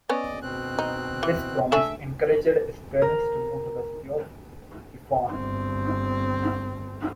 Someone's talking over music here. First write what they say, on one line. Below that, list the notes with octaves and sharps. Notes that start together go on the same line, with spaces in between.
This promise encouraged his parents to move to the city of Isfahan.
B3 C#4 D5 D#5
B2 C4 F#6
D#4
E3
A3 D4 E5 G#5
A#4
G1 C4